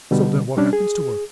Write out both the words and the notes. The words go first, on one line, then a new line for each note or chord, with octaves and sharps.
So then what happens to her?
B2 D3 G3
G3 C#4 D4
G#4